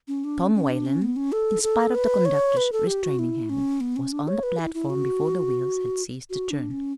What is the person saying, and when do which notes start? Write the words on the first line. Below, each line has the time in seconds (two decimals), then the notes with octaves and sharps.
Tom Whalen, in spite of the conductor's restraining hand, was on the platform before the wheels had ceased to turn.
0.08 C#4
0.24 D4
0.39 C#4
0.55 C#4
0.70 D4
0.85 C#4
1.02 B3
1.16 C#4
1.32 A4
1.63 A4
1.95 B4
2.25 C#5
2.57 B4
2.72 A4
2.87 G4
3.03 F#4
3.19 E4
3.50 C#4
3.81 B3
3.96 C#4
4.12 D4
4.28 C#5
4.43 B4
4.59 E4
4.74 E4
4.90 F#4
6.30 F#4
6.51 D4
6.71 C#4